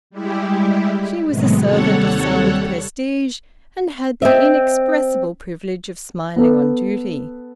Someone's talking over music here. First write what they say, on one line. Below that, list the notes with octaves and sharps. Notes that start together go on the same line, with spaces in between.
She was a servant of sound prestige, and had the inexpressible privilege of smiling on duty.
G3 G#3 E4 G4
A2 C3 D#3 F#3 G#3 B3
D#2 C3 G3 A4 C#5 F#5
C4 D#5 E5
B3 A4 B4